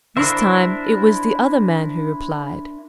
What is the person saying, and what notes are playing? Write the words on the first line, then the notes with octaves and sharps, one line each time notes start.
This time it was the other man who replied.
D4 E4 A#4 C5 E5